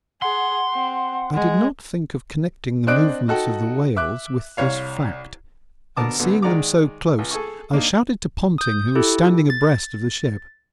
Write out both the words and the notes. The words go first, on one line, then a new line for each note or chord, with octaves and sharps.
I did not think of connecting the movements of the whales with this fact, and seeing them so close I shouted to Ponting, who was standing abreast of the ship.
G#4 F#5 C6
C4
G#3
C4 D4 D5 D#5 F#6 D7
D#4 F#4 A4 F#5 G5
E5 D6 F#6
C2 C#5 F5
B2 D3 A#4 A5 D6 D#6
B1 B2 D3 E3
D#3 G#3 D5 F#5 A#5 D6
C#2
G#4 A4 G#5 C#6
A#3 D4 D#4
D#6 G6
E4 G4 A4
A6